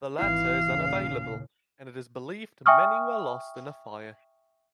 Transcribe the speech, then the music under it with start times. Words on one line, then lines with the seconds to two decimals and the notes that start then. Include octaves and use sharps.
The latter is unavailable, and it is believed many were lost in a fire.
0.19 G#1 E3 E4 F5
0.65 D#2 A#2 C#3
2.66 E5 G5 G#5 C#6 D#6 F6